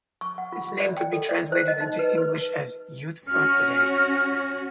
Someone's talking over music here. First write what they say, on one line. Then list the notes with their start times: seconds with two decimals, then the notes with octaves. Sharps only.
Its name could be translated into English as "Youth Front Today".
0.21 C#6
0.38 F#5
0.52 F4
0.80 D5
0.97 G5
1.13 A4
1.29 D5
1.52 C5
1.68 D#5
1.81 D#4
1.99 B4
2.18 B4
3.27 C#4 F#4 F6